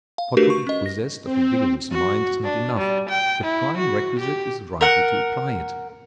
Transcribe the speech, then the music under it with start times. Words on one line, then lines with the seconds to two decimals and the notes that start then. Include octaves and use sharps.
For to be possessed of a vigorous mind is not enough; the prime requisite is rightly to apply it.
0.18 F5
0.37 A3 D4 F#4 G4 A#4 B4
0.50 C#6
0.67 C#4 D#5
0.86 A#6
1.24 C4
1.92 F#4
2.44 D4
2.77 G3
3.09 G5
3.44 E4
3.78 F#4
4.20 G4
4.81 A#4 F#5